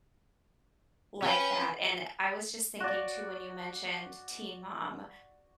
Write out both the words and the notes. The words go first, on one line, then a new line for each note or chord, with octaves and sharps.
like that, and I was just thinking too when you mentioned Teen Mom,
C#4 B4 G5
F#4 D5